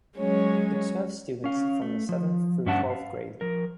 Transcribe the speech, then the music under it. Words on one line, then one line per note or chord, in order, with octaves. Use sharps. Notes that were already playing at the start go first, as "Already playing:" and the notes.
It serves students from the seventh- through twelfth-grade.
F#3 G#3 C#4 C#5
C#4 F5
A3
F3
G2 C#4 E5 F#5 A5
F5
F3 A#4